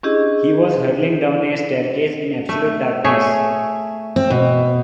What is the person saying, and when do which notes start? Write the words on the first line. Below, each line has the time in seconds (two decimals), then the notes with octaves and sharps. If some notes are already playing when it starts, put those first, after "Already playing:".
He was hurling down a staircase in absolute darkness.
0.03 C#4 D4 E4 G4 G#4 D#5
2.49 A3
3.04 A3 G#4 C#5
4.16 C4
4.30 B2